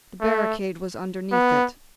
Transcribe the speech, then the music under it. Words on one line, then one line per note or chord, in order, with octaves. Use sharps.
The barricade was underneath it.
A3
B3